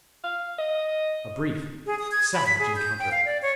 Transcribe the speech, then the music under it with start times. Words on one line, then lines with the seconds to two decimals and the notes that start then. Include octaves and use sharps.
A brief, savage encounter.
0.24 F5
0.59 D#5
1.86 G#4
1.99 D#6
2.11 G#6
2.34 B5
2.47 B6
2.59 G#4
2.76 G6
2.99 G5
3.12 F5
3.25 D5
3.42 C#5